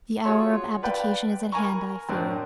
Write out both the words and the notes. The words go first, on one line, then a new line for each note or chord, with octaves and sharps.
The hour of abdication is at hand, I fear.
F4 F#4 G#4 C#5 C6
B4 D5 F5 G5 B5
A#4 G#5 A#5 B5 C#6
F#2 A2 C4 D4 A#4